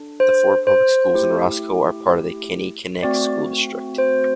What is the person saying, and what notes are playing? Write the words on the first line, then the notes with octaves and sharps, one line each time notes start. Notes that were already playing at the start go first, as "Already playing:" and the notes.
The four public schools in Roscoe are part of the Kinnikinnick School District.
Already playing: D4 A4
C5
C5
A3 E4 G4
A3 C4 F#4 D5
C5